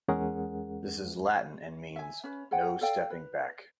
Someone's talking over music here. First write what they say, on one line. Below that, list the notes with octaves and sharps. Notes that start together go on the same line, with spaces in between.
This is Latin and means 'no stepping back'.
E2 G#3 C#4 G#4 A#4 F#5
E5 G#5
C#4 B4
G#4 C5 F#5 G5
A4 D5 F5 G5
B4